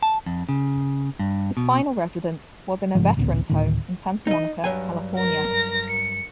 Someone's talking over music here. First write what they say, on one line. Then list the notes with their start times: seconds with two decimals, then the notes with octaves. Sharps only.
His final residence was in a veterans home in Santa Monica, California.
0.02 A5
0.26 F2
0.49 C#3
1.19 G2
1.57 B2
2.95 A1 G#2 C#3 F3
3.17 A1 D2 A#2 C4
3.49 D2 A2 D#3
4.27 D#4 D#5
4.64 G2 F#3 G#5
5.16 A#4 A#6
5.91 C#7